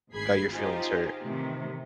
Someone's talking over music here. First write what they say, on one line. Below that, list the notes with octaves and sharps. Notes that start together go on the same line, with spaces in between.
got your feelings hurt,"
G#1 D2 G#4 B5 G#6 C7
D#4 F4 G4 G#4 C5
A2 C3 D#3 E3